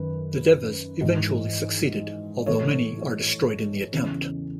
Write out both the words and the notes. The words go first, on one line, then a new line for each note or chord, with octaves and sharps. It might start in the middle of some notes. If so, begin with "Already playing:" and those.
The Devas eventually succeed, although many are destroyed in the attempt.
Already playing: F#2 D#3 B4
G#2 E3
A2 E3 A4 C#5
E2 C#3 E3